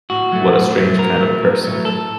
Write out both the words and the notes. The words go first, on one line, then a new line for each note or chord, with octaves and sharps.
What a strange kind of person!
A2 F#4
F#3 A3
A2
F#3 A3
A2 A#4
F#3 A3
A2
F#3 A3
A2 A4